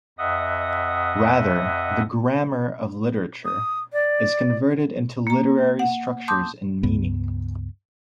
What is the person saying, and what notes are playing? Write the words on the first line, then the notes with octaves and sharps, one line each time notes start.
Rather, the "'grammar' of literature" is converted into literary structures and meaning.
F2 D#5 E5 F#5 D#6
D#6
D5
A#3 A#5
F#5
A5 C6 D6 D#6 G6
C#2 G2 B3